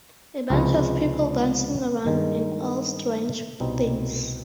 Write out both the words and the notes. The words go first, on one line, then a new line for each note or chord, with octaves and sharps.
A bunch of people bouncing around and all strange things.
C#2 C3 F3 G#3
G2 D#3 G#3
C2 B2 G3 C4 D#4